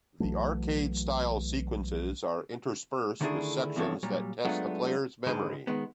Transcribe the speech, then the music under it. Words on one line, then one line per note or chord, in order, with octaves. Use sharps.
The arcade-style sequences are interspersed with sections that test the player's memory.
B1 E3 F#3 A3
D3 D#3 A3 D4 E4 G#4
E2 C3 E3 F3 A4 C#5
A#2 F#3 G3
F#3 G#3 A3 B3 D4 F4
G#2 D3 G#3 B4 C5
D#3 G#3 B3